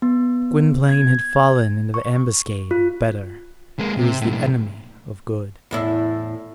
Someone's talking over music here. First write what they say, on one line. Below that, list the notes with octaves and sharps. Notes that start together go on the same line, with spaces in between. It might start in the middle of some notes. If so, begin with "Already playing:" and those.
Gwynplaine had fallen into the ambuscade of Better, who is the enemy of Good.
B3
G#6
C#6
F4
G#3 A#3
C3
B1 A2
E2 A2 E4